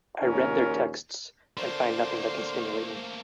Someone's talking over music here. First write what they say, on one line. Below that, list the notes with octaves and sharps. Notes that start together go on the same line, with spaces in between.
I read their texts and find nothing that can stimulate me.
A#1 D#2 C#4 F4 A#4
D3 A3 A#3 C5 C6